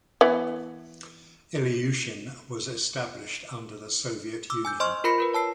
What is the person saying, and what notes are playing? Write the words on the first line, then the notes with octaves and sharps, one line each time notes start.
Ilyushin was established under the Soviet Union.
E3 B3
D6 E6
G#5 E6 G6
C5 D#5 C6 C#6 F6
F4 A#4 B5 A#6 C#7
F4 A#4 B4
C#5 A5 E6 C7